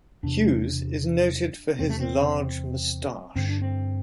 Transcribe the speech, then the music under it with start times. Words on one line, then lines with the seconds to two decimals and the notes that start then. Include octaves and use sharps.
Hughes is noted for his large moustache.
0.23 E2 C3 D4
1.79 E2 C3 C4
1.89 A3
2.00 C4
3.36 G2 D3 C4
3.49 D4
3.62 C4